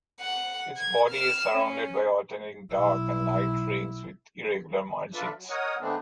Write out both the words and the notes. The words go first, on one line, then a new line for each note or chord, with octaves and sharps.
Its body is surrounded by alternating dark and light rings with irregular margins.
F#5
G#6
F6 E7
C#4
B1 E4
D4 F4 A4 B4 D5 E5
F#3
A#4 C#5 D#5 F#5 D#6
D3 G#3 A3 B3 C4 D4